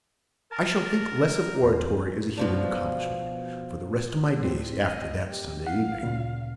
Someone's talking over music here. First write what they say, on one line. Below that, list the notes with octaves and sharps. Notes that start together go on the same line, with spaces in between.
I shall think less of oratory as a human accomplishment, for the rest of my days, after that Sunday evening.
A#4 A5
E2 C4 C5
B2 F3 D4
A2 E3 C4
D#5
G4
F5 F#5 C7
D2 A#2 C#3